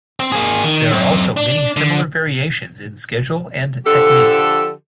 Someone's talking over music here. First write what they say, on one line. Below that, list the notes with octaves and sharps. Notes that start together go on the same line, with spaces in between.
There are also many similar variations in schedule and technique.
C4
A#3 G#4
D#3
F#2 C4
D4
D3
D3 F3 G4 A4